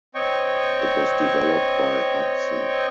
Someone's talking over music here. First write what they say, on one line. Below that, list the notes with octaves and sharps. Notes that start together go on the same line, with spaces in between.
It was developed by Hudson.
C4 C#5 D#5 G5 C#6